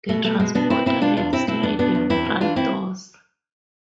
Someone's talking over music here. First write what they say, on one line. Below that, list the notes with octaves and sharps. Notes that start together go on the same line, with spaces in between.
The Transporter had sliding front doors.
B2 A3
B2 A3
B2 G#3
B2 B3 D4
B2 C4 E4
B2 C4 E4
B2 D4 F4
E2 D4 F4
B2 C4 E4
B2 C4 E4
E2 B3 D4
B2 B3 D4
E2
E2 C4 E4
B2
E3 D4 F4
C4 E4